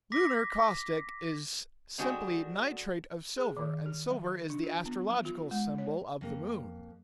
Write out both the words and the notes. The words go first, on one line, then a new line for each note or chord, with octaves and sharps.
Lunar caustic is simply nitrate of silver, and silver is the astrological symbol of the moon.
D6 A#6 B6
D3 G#3 D4 F#4 G4 C5
G#4
D#3
G4
F#3
D4
F4
B3
F#3
F4
G#3
C#5
F2 A#3